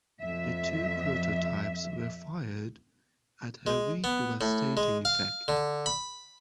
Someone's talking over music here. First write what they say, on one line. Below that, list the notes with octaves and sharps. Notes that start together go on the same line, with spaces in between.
The two prototypes were fired at her with devastating effect.
F2 E5
G#3
B3
A2
G#3
F5
D3
B5